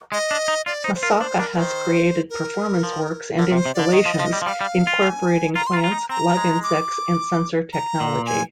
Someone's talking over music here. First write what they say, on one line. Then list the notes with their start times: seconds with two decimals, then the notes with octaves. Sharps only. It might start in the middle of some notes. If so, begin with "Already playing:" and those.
Masaoka has created performance works and installations incorporating plants, live insects, and sensor technology.
0.12 G#3 D#5
0.31 D4
0.48 D#4
0.66 F4 D5
0.84 D#4 C5
0.95 C5
1.03 F4 A#4
1.21 D4 C5
1.39 D4 A#4
1.57 D#3 C5
2.30 A#4
2.83 F3
3.38 D3 A#4
3.52 C3
3.56 C5
3.66 C3
3.75 D3 D5
3.93 D#3 D#5
4.05 F3
4.19 F3
4.33 G3
4.42 F3
4.46 G3 F5
4.61 G3
4.87 F4
5.01 G#5
5.55 F4 A#5
5.67 C6
5.73 F4
5.77 A#5
5.84 F4
5.91 D#4
6.09 C4 A#5
6.37 G#3
6.63 D6
7.73 A#5
8.00 A#2
8.26 G#5